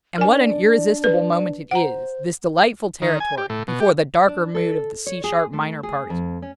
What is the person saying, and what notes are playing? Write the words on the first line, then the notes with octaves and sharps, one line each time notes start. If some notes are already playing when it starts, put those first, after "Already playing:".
And what an irresistible moment it is, this delightful territory, before the darker mood of the C sharp minor part is reached!
D4 A#4 D5 G#5
B4
C5 F#5 A#5
D#3
G#5
G4
A2
B2
G4
D4
A4
C#5
G#4
A3
G#4
F2
C#4